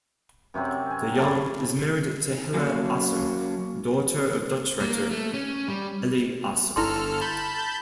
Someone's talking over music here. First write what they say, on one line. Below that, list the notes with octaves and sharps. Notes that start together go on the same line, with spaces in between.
De Jonge is married to Hella Asser, daughter of Dutch writer Eli Asser.
F#2 C3 F#3 C4
G#5
F#2 A4 D5
F#3 A#3 C#4
A#3
A3
C#4
G3
G1 E4 A4 C6 F6
A5 B5 G6